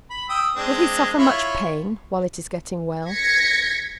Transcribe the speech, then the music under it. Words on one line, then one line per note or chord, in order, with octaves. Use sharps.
"Will he suffer much pain, while it is getting well?"
B5
G5 D#6 E6
G#3 C4 D4
E4 F4 C#5
G#6 A#6 B6 C#7